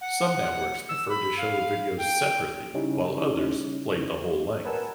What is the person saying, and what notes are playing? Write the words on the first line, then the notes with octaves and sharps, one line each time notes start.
Some networks preferred to show the videos separately while others played the whole length.
F#5
E6
B5
F5
G5
C#3 G3 C#4 D#4 E4
A#4 B4 F#5 G#5 A5 E6